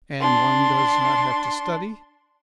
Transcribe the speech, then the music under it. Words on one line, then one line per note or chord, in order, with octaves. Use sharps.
"And one does not have to study?"
D4 C6